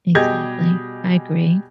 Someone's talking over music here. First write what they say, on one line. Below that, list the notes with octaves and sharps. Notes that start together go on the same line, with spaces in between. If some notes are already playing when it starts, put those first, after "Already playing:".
Exactly. I agree.
B2 G3 G4 G#4 D#5 G#6